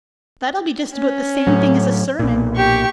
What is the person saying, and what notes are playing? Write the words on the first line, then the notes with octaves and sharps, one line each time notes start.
That will be just about the same thing as a sermon.
C#4
A2 F#3
B1 A#2
G4 C#6